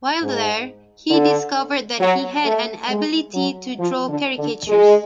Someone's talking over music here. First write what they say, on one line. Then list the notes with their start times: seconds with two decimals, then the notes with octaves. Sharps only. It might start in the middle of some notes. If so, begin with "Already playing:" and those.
While there, he discovered that he had an ability to draw caricatures.
0.21 G#2
1.10 D3
1.99 F#3
2.44 A3
2.89 G#3
3.33 F#3
3.78 F3
4.08 D3
4.38 D3
4.68 G#3